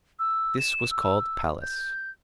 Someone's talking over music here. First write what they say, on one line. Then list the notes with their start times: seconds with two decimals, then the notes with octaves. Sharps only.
This was called Pallas.
0.19 E6
0.59 E7
0.91 E6
1.62 G6